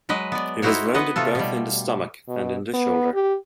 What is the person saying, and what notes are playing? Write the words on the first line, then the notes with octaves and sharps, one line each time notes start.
He was wounded in both the stomach and in the shoulder.
F#3 G#3 B4 D#5
B3 D5
D#4 E4 F#4 C5 C#5
B3 B4 D#5 F#5
C3 A3 F4 A4
B2 G3
B2
B3
G4